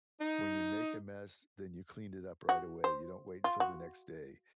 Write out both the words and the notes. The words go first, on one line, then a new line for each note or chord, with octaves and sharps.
when you make a mess, then you cleaned it up right away, you don't wait until the next day,
D#4
F#4
C5
F4
F#4